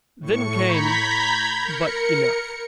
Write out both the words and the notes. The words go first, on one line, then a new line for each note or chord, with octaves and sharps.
Then came--But enough!
A2 C#6 C#7
A#5 B5 G6 G#6 B6
A#4 C#7